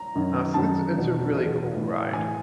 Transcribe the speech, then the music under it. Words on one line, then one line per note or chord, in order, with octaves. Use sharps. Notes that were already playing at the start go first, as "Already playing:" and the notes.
Uh, so, it's a it's a really cool ride.
Already playing: A#5
F#2 D#3
F#2 D#3 A5
E2 B2
E2 B2
A2 E3
A2 E3 G#5